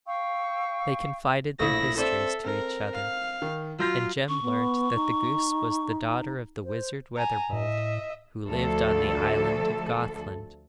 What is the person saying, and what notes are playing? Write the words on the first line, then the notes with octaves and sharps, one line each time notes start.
They confided their histories to each other, and Jem learnt that the goose was the daughter of the wizard Weatherbold, who lived on the island of Gothland.
F5 G5 C#6 E6
A#1 A3 E4 D#6 A#6
C4 A4 C5 D5 E5
C4 A#4
F5
D#3
F#3 F4 F5 G6 A#6
C#4 C#6
B3
D#4
C5
G#5 A#5
A2 D#5 E5
D2 F3 A4